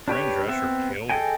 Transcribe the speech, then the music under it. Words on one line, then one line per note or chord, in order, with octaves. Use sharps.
Fran Drescher killed it.
D4 G4 B4 C#5
B3 C4 E5
G#4 A4 D#5 G5 G#5